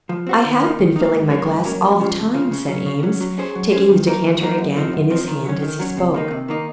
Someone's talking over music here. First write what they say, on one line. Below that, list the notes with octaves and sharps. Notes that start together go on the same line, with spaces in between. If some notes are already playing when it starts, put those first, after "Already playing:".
"I have been filling my glass all the time," said Eames, taking the decanter again in his hand as he spoke.
F3
C4 F#4 C5
D#3
A#3 D#4
D#3
A#3 D#4
G#2
F#3 A#3 C#4
G#2
F#3 A#3 C#4
F2
C#3 F3
F2
C#3 F3
C#3
F#3 C#4
C#3
F#3 C#4
F#3
C#4 G#4 C5
F#3
C#4 G#4 C5
D#3
F#3 A#3 D#4 A#4
D#3
F#3 A#3 D#4 A#4
F#2
F3 C4 D#4
F#2
F3 C4 D#4
D#3
F#3 C#4
D#3
F#3 C#4
C3
D#3 A#3 D#4
C3
D#3 A#3 D#4